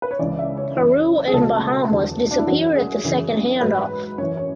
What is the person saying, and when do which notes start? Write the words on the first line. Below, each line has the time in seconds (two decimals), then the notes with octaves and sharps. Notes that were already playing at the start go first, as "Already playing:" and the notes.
Peru and Bahamas disappeared at the second handoff.
0.02 B4
0.11 C#5
0.19 C#2 C#3 E3 D5
0.39 E5
0.57 C#5
0.76 F#2 E3
1.27 G#4
1.33 C#2 B2 F#3 A4
1.91 E2 D3 F#3
2.31 D4
2.38 E4
2.47 F#2 E3 F#4
2.75 G#4
3.04 F#2 C#3 E3
3.61 G#2 F#3 B4
4.18 F#2 E3 C#5
4.37 C#5